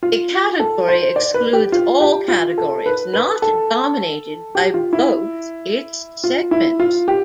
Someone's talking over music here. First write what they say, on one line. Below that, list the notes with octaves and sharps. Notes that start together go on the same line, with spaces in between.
A category excludes all categories not dominated by "both" its segments.
F4
A4
C5
D5
B4
G4
F4
G4
F4
A4
B4
B4
A4
G4
F4
E4
F4
E4
F4
G4